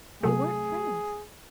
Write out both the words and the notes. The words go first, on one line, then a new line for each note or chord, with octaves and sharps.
They weren't friends.
C3 F#3 A3 G#4